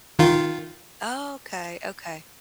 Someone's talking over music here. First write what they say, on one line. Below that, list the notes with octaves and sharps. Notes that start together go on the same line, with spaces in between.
Okay. Okay.
D#3 F4